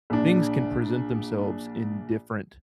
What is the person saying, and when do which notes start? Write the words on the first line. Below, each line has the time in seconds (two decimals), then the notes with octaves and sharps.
things can present themselves in different
0.10 A#1 D4